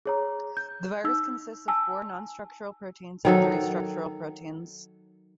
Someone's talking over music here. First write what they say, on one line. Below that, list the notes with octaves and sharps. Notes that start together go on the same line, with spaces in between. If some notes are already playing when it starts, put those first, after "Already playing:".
The virus consists of four nonstructural proteins and three structural proteins.
G#4 C#5 A#5
G6
D#4 E6
G#5 A5 E6
D#3 F#3 A4